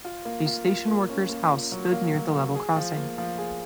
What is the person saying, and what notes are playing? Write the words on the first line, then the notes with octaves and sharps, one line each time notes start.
A station workers house stood near the level crossing.
F4
A#3
F4
F4
A#3
C#4
A#3
F4
F#3
A#3
F#3
F#3
G#4
F3
A#3
F3
G#4